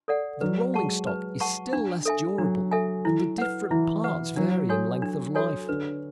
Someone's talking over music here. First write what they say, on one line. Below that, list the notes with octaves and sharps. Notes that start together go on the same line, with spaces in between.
The rolling-stock is still less durable, and the different parts vary in length of life.
A4 D5 F#5
F#3 B4
G#3 F#5 A5 C#6
B4
F#5 A5 C#6
D4
A4 E5 G#5
F#3 D4
A4 E5 G#5
E4
B4 F#5
E3 E4
B4 F#5
F#3 D4
F#4 A4 C#5 G#5
D4
F#4 A4 C#5 G#5
D3 B4